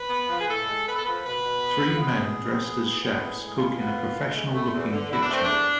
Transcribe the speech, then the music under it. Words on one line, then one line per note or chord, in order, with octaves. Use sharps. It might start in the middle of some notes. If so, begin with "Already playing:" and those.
Three men dressed as chefs cook in a professional looking kitchen.
Already playing: B4
B3
F3 F4
G#4
A2 A4
G#3
B3 B4
A4
F3 B4
B2 B4
B2
B3
B3
F4
B2 G#4
B2
B3
B3
A2
B3
A2
G#3
A2 F4
B3
A2
G#3
E2
A3
E2
D3
E2 E4
D4
A3 C4
D4
E2